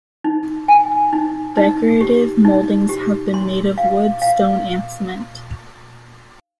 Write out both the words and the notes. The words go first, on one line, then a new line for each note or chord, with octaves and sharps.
Decorative moldings have been made of wood, stone and cement.
D#4
G#5
D#4
D#4
G4
D#4
G4
C6
F5
F5